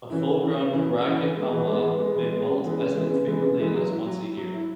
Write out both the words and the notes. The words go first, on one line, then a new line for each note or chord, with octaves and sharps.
A full-grown "Brachypelma" may molt as infrequently as once a year.
E3 C#4 E4
C#3
E3 C#4 E4
C#3
E3 C#4 E4
C#3
E3 C#4 E4
E3
G#3 B3
E3
G#3
B3
E3
G#3 B3
E3
G#3 B3
C#3
E3 G#3 B3 E4
C#3
E3 G#3 B3 E4
C#3
E3 G#3 B3 E4
C#3
E3 G#3 B3 E4
F#3
E4
F#3
E4
F#3
E4